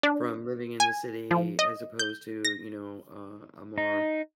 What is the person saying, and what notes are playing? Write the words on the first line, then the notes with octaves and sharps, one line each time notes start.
from living in the city as opposed to, you know, uh, a more
D4
G#5
F3
D#5
G6
A#6
D#4